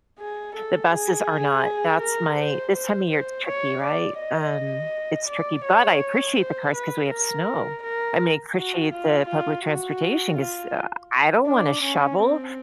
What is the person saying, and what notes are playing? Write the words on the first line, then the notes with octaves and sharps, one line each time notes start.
the buses are not, that's my This time of year, it's tricky, right, um, it's tricky, but I appreciate the cars 'cause we have snow, I may appreciate the public transportation, 'cause, uh, I don't wanna shovel.
G#4
A4
G#4
A#4
C5
C5
C5
C#5
D5
D#5
D5
C#5
C5
B4
A#4
A#4
F#4
F4
F4
F#4
F4
D4
C#4
C4